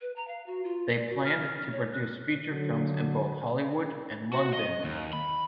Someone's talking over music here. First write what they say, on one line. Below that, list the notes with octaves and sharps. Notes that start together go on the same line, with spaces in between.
They planned to produce feature films in both Hollywood and London.
B4
A#5
F5
F#4
F4
D5
F#4
F6
C#5
F#6
D3 F#3
F#4
D#5
D#2
B5